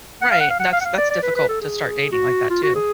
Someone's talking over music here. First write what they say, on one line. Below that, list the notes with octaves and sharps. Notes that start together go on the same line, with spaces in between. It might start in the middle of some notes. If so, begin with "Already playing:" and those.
Right, that's that's difficult to start dating like that, too.
F#5
F5
F#5
F5
F#5
F5
F#5
F5
D5
D5
B4
B4
A4
G#4
F#4
F4
F#4
G#4